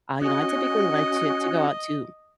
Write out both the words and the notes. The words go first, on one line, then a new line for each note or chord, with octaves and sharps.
uh, you know, I typically like to to go out to
C#4 F#4 D#5